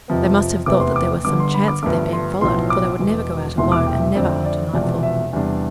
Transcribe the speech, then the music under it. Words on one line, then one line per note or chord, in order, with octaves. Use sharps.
They must have thought that there was some chance of their being followed, for they would never go out alone, and never after nightfall.
F2 C3 F3 B3
F1 E2 C3 E3 B3 D6
C6
D6
G1 G2 D3 D6
C6
B5
D6
G1 G2 F3 A3 D4 D6
C6
B1 A2 F3 B3 C6
D6
E1 E2 B2
E1 E2 C3 E3 A3 C6
D6
G5
E5
F2 D3 A3 C4 D5
D5
E1 E2 C3 F3 D5
E5
E2 C3 G3 D4